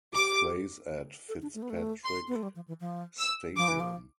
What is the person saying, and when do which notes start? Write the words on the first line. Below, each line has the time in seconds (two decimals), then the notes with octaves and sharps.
It plays at Fitzpatrick Stadium.
0.16 G4 D6
1.29 A4
1.42 D4
1.54 A3
1.62 B3
1.70 A3
2.05 C6
2.28 B3
2.36 A3
2.43 G3
2.56 F3
2.68 E3
2.80 F3
3.19 E6
3.56 F3 D6
3.68 E3
3.80 F3